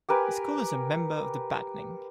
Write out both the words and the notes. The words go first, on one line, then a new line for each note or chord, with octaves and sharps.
The school is a member of the Battening.
G4 A#4 B4 G#5